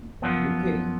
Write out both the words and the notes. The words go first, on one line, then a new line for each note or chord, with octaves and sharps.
M You're kidding?
F#2 F3 B3